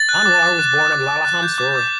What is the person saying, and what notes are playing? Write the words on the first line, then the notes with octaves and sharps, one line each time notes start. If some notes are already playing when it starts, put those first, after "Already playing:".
Anwar was born in Laleham, Surrey.
Already playing: A6
F#6
D6
D6
F#6
F#6
D6
D6
F#6
G6
D6
D6